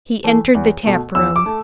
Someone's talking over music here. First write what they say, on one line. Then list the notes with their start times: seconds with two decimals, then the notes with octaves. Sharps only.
He entered the tap-room.
0.24 E3 A3
0.54 E2
0.85 B2 A3
1.15 E2 E6
1.36 D6
1.46 A3